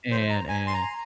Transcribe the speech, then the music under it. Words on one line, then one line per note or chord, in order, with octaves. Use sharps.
And and
C5
A#5
G#5
C6
A#5